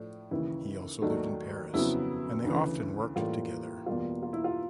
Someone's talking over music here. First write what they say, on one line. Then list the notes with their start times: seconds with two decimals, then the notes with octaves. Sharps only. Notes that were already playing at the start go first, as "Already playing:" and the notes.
He also lived in Paris and they often worked together.
Already playing: A2 F3 A3 D4
0.31 D#2 C#3 E3 E4
1.02 D#2 D#3 F#3 A3 D4
1.74 F2 C#3 F#3 B3 E4
2.45 D2 C#3 E3
3.16 A2 E3 G3 A#3 F4
3.86 E2 B2 G3 A#3 F4
4.23 F4
4.33 E4
4.44 F4